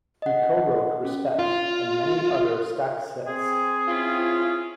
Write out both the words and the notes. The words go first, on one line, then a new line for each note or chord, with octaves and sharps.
He co-wrote "Respect" and many other Stax hits.
D#5 F#5
C#4
F4
C4 G#4
C#4 E4 F4